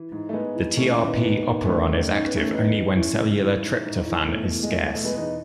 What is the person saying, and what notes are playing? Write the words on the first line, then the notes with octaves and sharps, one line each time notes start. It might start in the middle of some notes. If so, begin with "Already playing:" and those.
The trp operon is active only when cellular tryptophan is scarce.
Already playing: E3
G#2
A3
G#2 G#3 B3
E3
D#3 A3 C#4
C#4 E4
D#2
B3 D#4
E4
D#2 B3 D#4
D#3
D#3 A3 C#4
G#2
G#2 D#4
C#4
B3
D#3
A3 C#4
E2 B3 D#4
E2
E3 C#4 E4
C#3
E3
G#2
G#2
E3
B2 A3
E2
G#3
E2 A3
G#3
B2 A3
G#3 B3
E2 B3 D#4